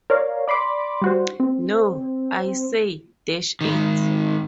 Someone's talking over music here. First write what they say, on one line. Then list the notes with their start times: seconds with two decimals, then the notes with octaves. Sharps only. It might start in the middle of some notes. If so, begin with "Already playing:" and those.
No, I say, dash it!
0.10 A#4 C#5 D5 F5
0.48 D5 B5 C6 D6
1.02 G3 F#4 C5
1.40 C4
3.61 G#2 D#3